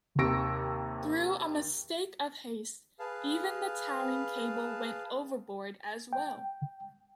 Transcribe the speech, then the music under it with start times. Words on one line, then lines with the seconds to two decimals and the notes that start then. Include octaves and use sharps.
Through a mistake of haste, even the towing cable went overboard as well.
0.18 D#2 C3 C#6 E6 A#6 D7
2.99 G#4 B4 F5 A5
6.13 G5